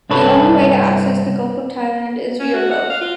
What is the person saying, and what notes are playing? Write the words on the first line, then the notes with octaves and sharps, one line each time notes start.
The only way to access the Gulf of Thailand is via boat.
C2 G2 D4 A4 B4 C#5
C#4
F#4
F#5
F5
F4